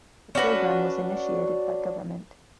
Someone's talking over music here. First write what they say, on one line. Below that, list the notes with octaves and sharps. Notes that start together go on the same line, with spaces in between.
The programme was initiated by govt.
C#4 D4 F#4 B4